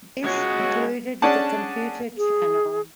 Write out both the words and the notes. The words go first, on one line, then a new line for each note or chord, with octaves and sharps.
This included The Computer Channel.
G#3 C#4 F#4
C#4 D4 G#4 D5 F#5 A5
G#4